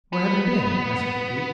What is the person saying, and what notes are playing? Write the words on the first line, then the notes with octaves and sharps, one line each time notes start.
'Where have you been?' asked the thief.
B3